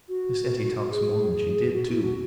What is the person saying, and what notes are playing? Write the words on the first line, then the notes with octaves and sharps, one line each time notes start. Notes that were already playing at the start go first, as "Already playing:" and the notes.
Miss Etty talks more than she did, too.
F#4
G#4
F#4
E4
F#4